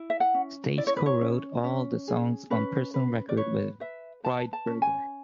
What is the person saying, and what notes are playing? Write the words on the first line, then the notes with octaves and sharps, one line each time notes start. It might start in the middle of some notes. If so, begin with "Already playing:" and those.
Stace co-wrote all of the songs on Personal Record with Friedberger.
Already playing: E4
E5
F#5
C#4
E4 D5
C#5
B4
C#5
C#4
C#4
G#4
C#4 B4
B4
D5
B4 C#5
B4 E5
B4 A5
A5
C#4
G#5